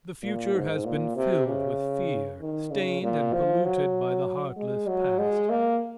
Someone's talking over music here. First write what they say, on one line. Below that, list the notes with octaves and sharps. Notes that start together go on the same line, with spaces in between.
The future has been filled with fear, stained and polluted by the heartless past.
A#2
G#2
A#2
C3
C#3
D#3
C#3
A#2
F3
F#3
G#3
F#3
G#3
A#3